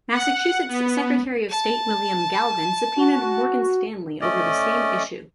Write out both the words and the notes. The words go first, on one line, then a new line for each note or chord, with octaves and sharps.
Massachusetts Secretary of State William Galvin subpoenaed Morgan Stanley over the same issue.
F#5
B3
A5
F#4
A3 C#4 D5 D#5